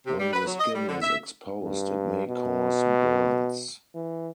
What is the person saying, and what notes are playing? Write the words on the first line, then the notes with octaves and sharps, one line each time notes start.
When the skin is exposed it may cause burns.
C3
G3
B4
F#3
D#5
G3
D3
E5
G2
B2
E3